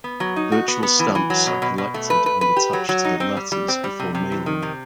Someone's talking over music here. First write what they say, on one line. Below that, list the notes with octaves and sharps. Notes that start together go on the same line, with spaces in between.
Virtual stamps are collected and attached to the "letters" before mailing them.
B3
F#3
D#4
F#4
B3
B3
E3
E3
F#3
B2
B2
B2
A3
B4
B4
B4
G4
F#3
F#3
D#4
C4
G3
G3
C4
G3
C3
C3
E3
D#3
C3